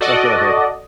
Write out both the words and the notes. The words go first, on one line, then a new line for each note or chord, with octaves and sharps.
Oh, go ahead.
F#4 A4 D5 D#5